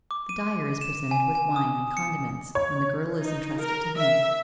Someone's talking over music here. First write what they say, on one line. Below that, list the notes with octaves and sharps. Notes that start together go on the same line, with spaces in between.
The dyer is presented with wine and condiments when the girdle is entrusted to him.
D6
D#7
E7
G#5
G#5
D#6
C#7
C#5
D#4
A#4
E5